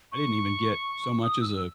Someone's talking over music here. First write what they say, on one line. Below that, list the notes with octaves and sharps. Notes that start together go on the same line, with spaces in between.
I didn't even get so much as a,
C#6
D#6
E6